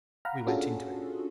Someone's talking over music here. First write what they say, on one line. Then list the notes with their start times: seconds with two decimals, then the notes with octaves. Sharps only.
We went into it.
0.25 F5 F#5 A#5 B5 F6
0.47 C#4 D4 F4 F#4 G#4 A4